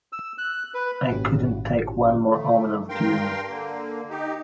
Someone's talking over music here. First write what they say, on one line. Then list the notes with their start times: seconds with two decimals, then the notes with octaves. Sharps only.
I couldn't take one more omen of doom.
0.13 E6
0.38 F#6
0.74 B4
1.11 G#1 A#2 C#4 F#4 G4
2.30 A3
2.89 G2 A#4 F5 G5 C6
3.48 D3 A#3
4.10 D#4 G4